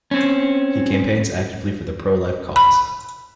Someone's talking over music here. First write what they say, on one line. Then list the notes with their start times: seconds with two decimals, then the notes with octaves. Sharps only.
He campaigns actively for the pro-life cause.
0.11 C4 C#4
2.56 B5